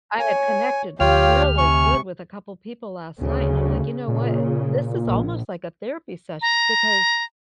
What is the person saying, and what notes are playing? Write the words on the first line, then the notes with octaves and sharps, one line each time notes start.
I had connected really good with a couple people last night, and I'm like, "You know what? This is almost like a therapy sesh because
C#5 G#5
D2 F4 G4 C#5 F5 G5 F6
C3 G#5 C#6
D2 C#3
A#2 C#3
A#1
A#5